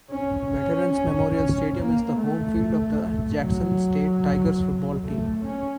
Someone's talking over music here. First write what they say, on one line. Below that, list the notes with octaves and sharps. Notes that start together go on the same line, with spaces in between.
Veterans Memorial Stadium is the home field of the Jackson State Tigers football team.
C#4
C#4
C#4
A#3
A3
F#3
A3
C#4